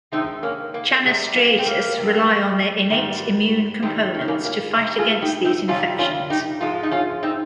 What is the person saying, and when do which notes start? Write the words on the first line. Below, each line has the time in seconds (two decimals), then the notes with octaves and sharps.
Channa striatus rely on their innate immune components to fight against these infections.
0.12 C3 D#3 G#3 C4 D#4
0.43 A#3 C#4
0.74 A#3
1.05 F2 C3 G3 G#3
1.36 A#3
1.59 C4
1.67 A#3
1.97 F2 C3 G3
2.90 G#2 D#3 G3
3.82 G#2 D#3 G3 G#3 C4
4.14 C#4
4.21 D#4
4.28 A#3 C#4
4.44 A#3 C#4
4.75 F2 C3 G3
4.98 F4 G#4
5.22 D#4 G4
5.45 C4 D#4
5.68 F2 C3 D#3 G3 C#4 F4
5.99 C#4 F4
6.30 D#4 G4
6.61 G#2 F3 G#3 F4
6.83 D#4
6.91 C#4 F4
7.23 C4 D#4